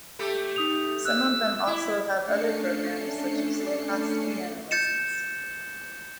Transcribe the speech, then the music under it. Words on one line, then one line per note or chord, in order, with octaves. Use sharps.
Some of them also have other programs, such as low cost piano lessons.
A3 G4 A4
D#4 D#6 F7
E6 F#6
E4
A3 C#4 D4 A4 C7 C#7
G6 A6 C#7 E7